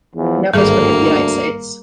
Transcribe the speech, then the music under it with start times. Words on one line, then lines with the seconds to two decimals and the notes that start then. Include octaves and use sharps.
He now plays cricket for United States.
0.16 E2 E3 F3
0.54 G#1 D2 G2 G3 A#3 G#4